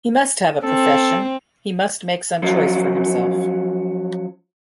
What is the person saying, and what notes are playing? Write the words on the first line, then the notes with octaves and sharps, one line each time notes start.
He must have a profession; he must make some choice for himself.
C4 A4
F3 F#3 C#4